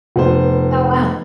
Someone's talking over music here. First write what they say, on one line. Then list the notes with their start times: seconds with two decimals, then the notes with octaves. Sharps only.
Oh, wow.
0.16 F1 B3 C5